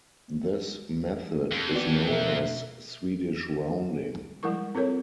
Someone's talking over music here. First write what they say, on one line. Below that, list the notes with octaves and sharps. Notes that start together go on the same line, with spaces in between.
This method is known as "Swedish rounding".
F2
B3 F#4 D5
B2 A#4 E5
F3 G3 G#3 E4 A#4 C#6
C4 F4 A4 A#4 C#5